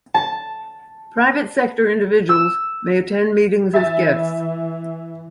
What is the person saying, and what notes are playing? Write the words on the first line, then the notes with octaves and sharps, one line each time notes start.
Private sector individuals may attend meetings as guests.
A5
E6
E3 E5 G#5 A6